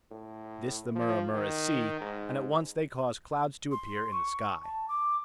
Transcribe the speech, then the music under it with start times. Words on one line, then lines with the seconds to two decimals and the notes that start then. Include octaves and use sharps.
This the Mura-muras see, and at once they cause clouds to appear in the sky.
0.11 A2
0.95 F3
1.33 D#3
2.01 G#2
3.71 C6
4.11 C#6
4.64 A5
4.88 D6